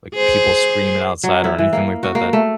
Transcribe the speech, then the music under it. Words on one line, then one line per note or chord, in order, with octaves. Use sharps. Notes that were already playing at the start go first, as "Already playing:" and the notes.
like, people screaming outside or anything like that that
G#4 C5
F#3
E4
E3
A#3
F#4
A#3
A3